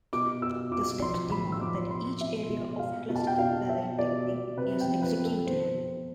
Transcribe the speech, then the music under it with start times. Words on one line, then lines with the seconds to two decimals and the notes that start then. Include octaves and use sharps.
The steps demand that each area of classical ballet technique is executed.
0.13 B2 D6
0.42 B2 E6
0.72 B2 D6
1.02 F3 C6
1.31 A2 B5
1.52 E6
1.61 F3 D6
1.91 B2 C6
2.20 B2 E5
2.50 B2
2.79 B2 F5
3.10 B2
3.16 A5
3.27 G5
3.39 B2 F5
3.69 B2 E5
3.99 B2 D5
4.28 B2 D5
4.57 C3 B4
4.80 G5
4.88 F3
5.02 B4
5.17 F3
5.25 A4
5.47 B2 C5
5.77 B2